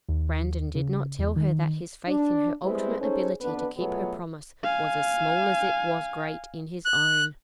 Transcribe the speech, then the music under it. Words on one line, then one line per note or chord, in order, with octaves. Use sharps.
Brandon did not tell her that his faith in her ultimate ability to keep her promise was as small as it was great in his own.
D#2
C#3
E2
D#3
D4
G3 G#3 C4 E4 B4 C5
C#4 D#4 G#4 A4 C5 C#5
F2 B3 D4 B4
B2 F#3 A3 B3 F4 G#4
F5 G#5
F#6